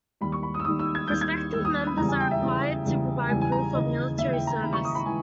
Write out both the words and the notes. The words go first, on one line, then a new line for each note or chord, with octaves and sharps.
Prospective members are required to provide proof of military service.
D#2 D#3 G3 B5
C#6
B5
D#6
E6
D#2 D#3 G3 D#6
E6
G#6
D#2 D#3 G3 G6
G#6
D#2 D#3 G3 E6
D#6
B5
E2 C#3 G3 A#5
G#5
G5
E5
E2 C#3 G3
E2 C#3 G3
E2 C#3 G3 G#5
G#5
A#5
D#2 C#3 E3 D#5
D#2 C#3 E3 E5
G5
A#5
D#2 C#3 E3 B5
C#6
D#6
B5
E3 G#5